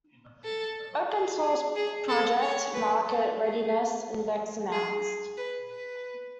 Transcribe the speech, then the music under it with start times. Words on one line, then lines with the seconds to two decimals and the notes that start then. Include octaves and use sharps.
Open source project market readiness index announced.
0.44 A4
1.10 G#4
1.42 G#4
1.76 G#4
2.09 A4
2.41 C#5
2.74 B4
3.07 A4
3.40 G#4
4.72 G#4
5.37 B4
5.70 B4